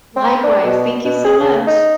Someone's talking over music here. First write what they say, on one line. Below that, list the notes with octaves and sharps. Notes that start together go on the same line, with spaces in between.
Likewise. Thank you so much.
C4
D4
B2
B2
G#4
C#3
D#4